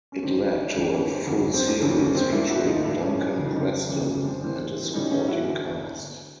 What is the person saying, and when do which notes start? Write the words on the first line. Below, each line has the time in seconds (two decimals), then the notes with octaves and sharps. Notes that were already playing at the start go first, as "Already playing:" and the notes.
It led to a full series, featuring Duncan Preston and a supporting cast.
0.12 C#4
0.22 G2 D#3 G3 C4 D4
0.75 G2 D#3 G3 C#4
0.92 C#4
1.09 C4 D4
1.27 F2 D3 F#3 A#3 C#4
1.54 C4
1.68 D4
1.80 F2 D3 F#3 A#3 C#4
1.97 C#4
2.14 C4 D4
2.32 A2 F3 A#3 D4 E4
2.50 E4 F#4
2.66 D#4 F4
2.84 A2 F3 A#3 D4 E4
3.01 C#4
3.19 C#4
3.36 F2 C#3 F#3 D4
3.46 D#4
3.55 C4 D4
3.89 F2 C#3 F#3 C#4
4.07 C#4
4.24 C4 D4
4.41 A2 E3 G3 A#3 C4 D4
4.94 A2 E3 G3 A#3 C#4 D#4
5.11 C#4 D#4
5.28 E4 F#4
5.47 D3